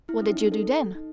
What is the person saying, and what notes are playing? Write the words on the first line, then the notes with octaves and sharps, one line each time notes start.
"What did you do then?"
E4
C#4
D#4
A4
D#4